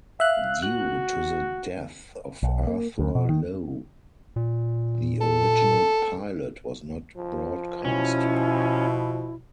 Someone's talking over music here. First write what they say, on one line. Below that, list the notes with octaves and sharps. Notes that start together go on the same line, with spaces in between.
Due to the death of Arthur Lowe, the original pilot was not broadcast.
E5 F5 F#6
F#4 F#6
B1
A#3
D2
B2
D#3
A#2
A4
F3
B2 C#4 E4